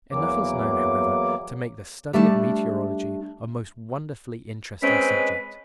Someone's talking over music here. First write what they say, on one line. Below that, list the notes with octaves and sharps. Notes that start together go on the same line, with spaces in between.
Enough is known, however, to make the study of meteorology a most wonderfully interesting subject.
E2 E3 F#3 A#3 D6
G3 A3 D4 A5
G#3 C4 C#4 B4